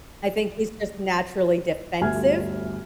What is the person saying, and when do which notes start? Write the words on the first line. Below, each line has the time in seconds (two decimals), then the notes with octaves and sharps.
I think he's just naturally defensive,
2.01 G1 D2 E5 G#5 F6 G#6